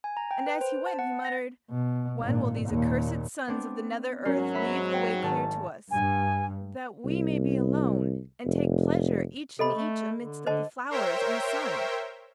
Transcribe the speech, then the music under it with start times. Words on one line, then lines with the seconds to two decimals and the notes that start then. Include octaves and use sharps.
And as he went, he muttered: "When will these accursed sons of the nether earth leave the way clear to us, that we may be alone and take pleasure each in each amidst of the flowers and the sun?"
0.04 G#5
0.17 A#5
0.31 G5
0.47 B4
0.61 C5
0.86 A5
0.99 F#5
1.25 A#6
1.70 B2
2.19 G#1 A#2
2.66 D#2 A#2
3.48 B3 C4 D4
4.25 G#2 F#3 C#4 A#4 C7
4.54 E5 B5 B6
4.94 G5
5.22 G#1 A5
5.91 G2 G#5
7.04 C2
8.44 F1
9.59 C3 A4 D#5 B5
9.75 A3
10.20 D3
10.46 D3 C5 D#5 A5
10.90 A#4 C5 C#5 E5 G5